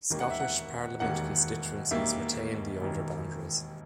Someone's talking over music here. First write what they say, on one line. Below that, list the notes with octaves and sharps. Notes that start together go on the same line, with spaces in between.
Scottish Parliament constituencies retain the older boundaries.
E1 D#2 D#3 A#3
F#5
E5
F#5
E1 D#2 D#3 A#3 F#5
E1 D#2 D#3 A#3 E5
E1 D#2 D#3 A#3